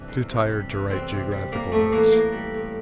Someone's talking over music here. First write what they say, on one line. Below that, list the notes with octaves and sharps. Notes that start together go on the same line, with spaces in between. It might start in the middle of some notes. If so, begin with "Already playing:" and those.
Too tired to write geological notes.
Already playing: C3 E3 G3 D4
E2
C3
G3
E3
E2 C4
C3
G3
G3 A#3
A2 A3
E3 A#3
A2 A#3
G3
A2